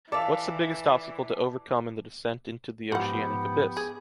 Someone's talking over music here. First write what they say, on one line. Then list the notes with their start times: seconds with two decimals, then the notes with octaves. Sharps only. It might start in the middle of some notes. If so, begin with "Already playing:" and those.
What’s the biggest obstacle to overcome in the descent into the oceanic abyss?
0.12 E3 A4 D5 E5 F5 A5
2.92 G#2 F3 B3 F4 G4 F#5
3.77 G#4